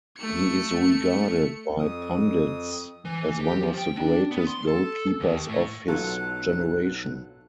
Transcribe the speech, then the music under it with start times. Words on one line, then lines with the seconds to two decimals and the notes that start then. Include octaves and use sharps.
He is regarded by pundits as one of the greatest goalkeepers of his generation.
0.18 A3 C#7
1.79 F2 D#6
3.05 E3
3.40 G4
3.63 F3
3.78 G5
3.97 D4
4.31 B3
4.47 C6
4.67 A4
5.20 D#2
5.48 A2
5.88 B1 F#3 F4 A4 F#6